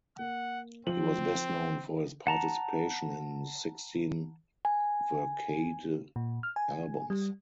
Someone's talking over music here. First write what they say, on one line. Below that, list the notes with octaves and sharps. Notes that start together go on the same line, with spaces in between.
He was best known for his participation in sixteen Verkade albums.
A#3 F#5
F3 C4 F#7
F#5 A5 A#5
G#5
A#2
F6
G#5
G3